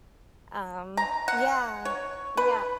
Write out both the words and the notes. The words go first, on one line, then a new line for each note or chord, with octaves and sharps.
um Yeah. Yeah.
A#5
F#5
C#5
B4